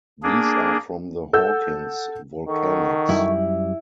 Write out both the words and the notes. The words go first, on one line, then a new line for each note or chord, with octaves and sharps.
These are from the Hawkins Volcanics.
A#3 D4 G#4
A4 F#5 E6 G6
D#3 A4 F#5 C#6
F#2 G3 E4